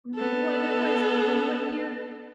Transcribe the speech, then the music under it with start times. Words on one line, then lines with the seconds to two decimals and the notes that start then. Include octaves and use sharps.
When it was when what year?
0.15 B3 A4